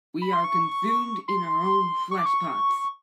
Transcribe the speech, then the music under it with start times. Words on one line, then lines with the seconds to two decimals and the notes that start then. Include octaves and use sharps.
We are consumed in our own flesh-pots.
0.22 B5
0.33 C6
0.44 C#6
1.28 C6
2.11 C#6
2.18 D6
2.26 C#6